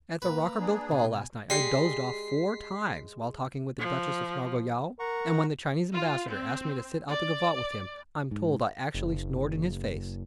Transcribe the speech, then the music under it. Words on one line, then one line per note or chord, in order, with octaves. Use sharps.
At the Rockerbilt ball last night I dozed off four times while talking with the Duchess of Snarleyow, and when the Chinese Ambassador asked me to sit out the gavotte with him I'm told I actually snored in his face.
A#3 B4 A#5
D4 G#4
B2 G#5
G#3 G4 D5 G5 B6 C7
F3
A#4 F#5 A#5 C#6
F4
C4
D5
G#2
F#1